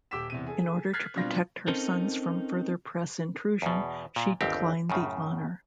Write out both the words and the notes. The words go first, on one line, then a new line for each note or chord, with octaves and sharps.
In order to protect her sons from further press intrusion she declined the honour.
D#1 G4 D6 E6 B6 E7
E2 C3 D#7
G#4 A4
F6 F#6 G#6 A6 B6 C7
B2 G3 C4 D4 F4 A#6
C4 C#4 D#4 A4 A#4 C5
E2 B2
A#2
G1 D#2 C4 G4
F#2 A2 C#3